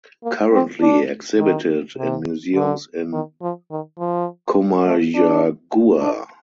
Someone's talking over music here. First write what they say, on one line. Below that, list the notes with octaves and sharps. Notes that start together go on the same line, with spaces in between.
Currently exhibited in museums in Comayagua.
A#3
C4
D4
D#3
C3
D3
D#3
F3
D#3
F3
A3
D4
D4